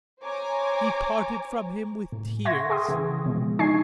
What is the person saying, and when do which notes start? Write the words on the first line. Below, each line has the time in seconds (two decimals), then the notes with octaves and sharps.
He parted from him with tears.
0.23 C5 C#5 G#5 A#5 D6
2.12 A2
2.45 E5 F#5 C6 C#6 G#6 A#6
2.69 G#4 G5 C6 D#6
2.88 C#3 E3
3.26 B2 F3 G#3
3.59 D4 D#4 G#5 C#6 G#6 C7